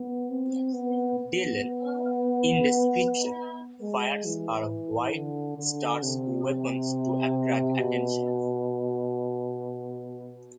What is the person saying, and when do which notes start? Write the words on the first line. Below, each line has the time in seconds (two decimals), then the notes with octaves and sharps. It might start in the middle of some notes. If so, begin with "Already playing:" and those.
Delenn, in desperation, fires her White Star's weapons to attract attention.
Already playing: B3
0.30 C4
0.73 B3
1.18 B3
3.82 G#3
4.25 E3
5.14 D3
5.58 D3
6.03 C3
7.79 B2